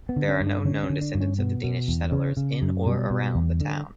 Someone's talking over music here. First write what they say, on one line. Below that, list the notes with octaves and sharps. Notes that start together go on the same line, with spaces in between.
There are no known descendants of the Danish settlers in or around the town.
B3
D3
C#4
G2
D4
D3 C#4
C#4
D3
D4
G2
C#4
B2 B3
B2
E2
C#3
C#3
F#2
B2 G3
B2
E2
D3